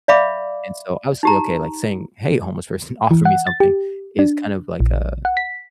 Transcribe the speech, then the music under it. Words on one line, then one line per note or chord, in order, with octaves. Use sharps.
And so, obviously, okay, like saying, "Hey, homeless person, offer me something," is kind of like, uh,
D5 E5 F5 B5 D6
D#4 G4 A#5
E3
F#5
A6
G4
D4
A#1
F#5
B6